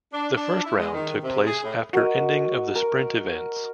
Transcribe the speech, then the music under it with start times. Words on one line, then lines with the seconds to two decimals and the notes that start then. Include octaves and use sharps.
The first round took place after ending of the sprint events.
0.12 D4
0.35 D4
0.64 E4
0.77 G#3
0.93 D#3
1.23 C3
1.46 G#4
1.63 A2
1.93 F#4 A#4 D#5
2.76 A#4